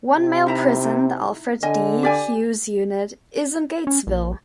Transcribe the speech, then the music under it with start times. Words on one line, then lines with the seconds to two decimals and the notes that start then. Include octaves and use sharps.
One male prison, the Alfred D. Hughes Unit, is in Gatesville.
0.16 C3
0.47 D#4 E4 A#5
1.63 D3 D#5 G#5
2.03 G4 D5 G#5
3.87 C#4
4.07 A#1